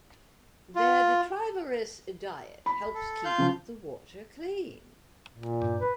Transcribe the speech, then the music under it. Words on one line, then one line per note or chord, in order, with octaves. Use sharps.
Their detrivorous diet helps keep the water clean.
F4
B5
A4
F4 F5 G6
C#3 F3
A#2
G2
B4